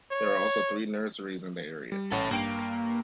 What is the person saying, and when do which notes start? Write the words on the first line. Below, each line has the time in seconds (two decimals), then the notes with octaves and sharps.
There are also three nurseries in the area.
0.11 C#5
1.92 G3
2.12 A1 C#4 A4 C#5 F#5
2.31 G2 A#3 G5 D7